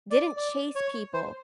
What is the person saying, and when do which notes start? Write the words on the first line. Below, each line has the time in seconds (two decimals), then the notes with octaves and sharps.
didn't chase people
0.11 D5
0.37 D5
0.76 C#5
1.14 C5